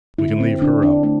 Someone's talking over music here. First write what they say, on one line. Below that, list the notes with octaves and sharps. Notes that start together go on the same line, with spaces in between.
We can leave her out.
D3 E4
C4
D3 D4
D4
A3 D4